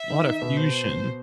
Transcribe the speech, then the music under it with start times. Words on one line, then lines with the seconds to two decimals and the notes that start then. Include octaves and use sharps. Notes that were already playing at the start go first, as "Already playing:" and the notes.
lotta fusion.
Already playing: E5
0.10 D#3 D#4
0.25 D#3 D#4
0.42 B2 B3
0.57 C5